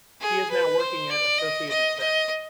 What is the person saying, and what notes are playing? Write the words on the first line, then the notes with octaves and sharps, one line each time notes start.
He is now working at Associated Press.
G#4
B4
C5
D5
D#5
D#5
D#5